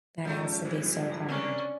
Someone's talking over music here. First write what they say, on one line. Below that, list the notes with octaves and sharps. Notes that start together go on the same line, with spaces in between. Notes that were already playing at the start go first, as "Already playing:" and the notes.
That has to be so hard.
G#2 C#3 F3 F#3 A3
C3 E3 G3 G#3
C3 C#4 D4 A#4